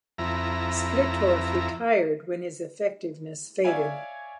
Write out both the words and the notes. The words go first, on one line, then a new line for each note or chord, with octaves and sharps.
Splittorff retired when his effectiveness faded.
F2 E4 A#5
C#5 D5 E5 F5 G#5